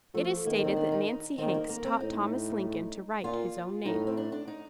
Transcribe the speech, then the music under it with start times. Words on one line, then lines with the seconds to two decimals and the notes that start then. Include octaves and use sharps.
It is stated that Nancy Hanks taught Thomas Lincoln to write his own name.
0.14 F3 A3
0.46 D#3 A#3
0.64 C4
0.76 D4
0.92 D#4
1.08 D#4
1.38 D#3 C4
1.54 A#3
1.69 A#3
1.85 C4
2.00 A2 D#4
3.24 A#2 F4
3.85 A2 D#4
4.07 C4
4.17 D4
4.32 D4
4.48 D#4